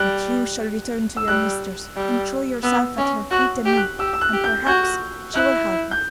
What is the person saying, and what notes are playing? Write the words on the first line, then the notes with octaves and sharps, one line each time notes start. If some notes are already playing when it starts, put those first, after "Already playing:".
But you shall return to your mistress, and throw yourself at her feet and weep, and perhaps she will help us.'
Already playing: G3 F#6
E6
G3 F#6
G3
B3 E6
C#4
F#4 F#6
G4
F#6
G4 E6
E6
F#6
G4
G6
F#4 G6
E4 F#6
G6